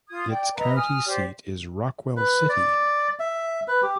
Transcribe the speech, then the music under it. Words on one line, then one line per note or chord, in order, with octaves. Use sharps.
Its county seat is Rockwell City.
F4 D#6 G#6
D5 G5
B4 D#5 E5 A#5
G#5 D#6 F6
G4 C5 D5
B4
D5
E5
B4
G4